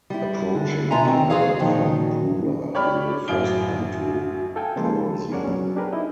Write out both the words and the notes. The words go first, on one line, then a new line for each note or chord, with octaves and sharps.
Approaching the island from Pula, you will first come to Porozina.
G3 E4
D3
B2 D3 F4 E5 G#5 A#5
D#3 C4
F4 F#4 G#4 C#5 F5
A#2 D#3 F3 F#3
G4 C#5 D5 B5 F6
A1 F#2 E4 F5 D7 G7
E4 A4 F5 G5 G#5
C#3 F3 G#3 A#3 A5 C6
G#4 A#4 C#5 D5 F#5
F#3 B3 C#4
D4 G4 G#4 A#4 B4
D#4 E4 D#5